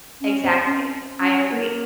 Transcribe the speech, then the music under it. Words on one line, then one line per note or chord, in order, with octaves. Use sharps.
Exactly. I agree.
C#4
C4
C#4
C#4
A#3